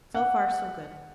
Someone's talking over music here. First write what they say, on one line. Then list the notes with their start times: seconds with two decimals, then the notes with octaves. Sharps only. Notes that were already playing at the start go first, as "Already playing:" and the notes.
So far, so good.
0.15 F#5